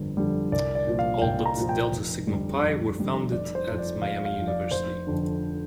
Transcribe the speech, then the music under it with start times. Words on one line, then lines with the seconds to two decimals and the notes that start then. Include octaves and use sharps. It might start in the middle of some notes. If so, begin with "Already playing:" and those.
All but Delta Sigma Pi were founded at Miami University.
Already playing: G1 F2 D3 G3
0.17 F2 D3 G3
0.52 C2 D5
0.75 D5
0.87 A#2 F3
0.99 F5
1.22 C2 G5
1.46 A#5
1.57 A#2 F3
1.69 G5
1.92 F1
2.27 F2 D3 G3
2.62 F1
2.97 F2 D3 G3
3.31 F1 D5
3.55 C5
3.66 F2 F3
3.78 D5
4.02 F1 F5
4.25 F5
4.37 F2 F3
4.48 D5
4.71 F1 C5
5.07 F2 D3